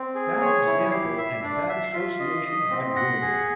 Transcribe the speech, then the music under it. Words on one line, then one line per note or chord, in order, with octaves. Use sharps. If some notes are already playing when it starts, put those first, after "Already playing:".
Bad example and bad association had ruined me.
Already playing: C4
G#4
C#5
E4
G4 C7
E5
D4
E5
C7
F4 B6
D#5
D#5
C4
F#5 A#6
G#4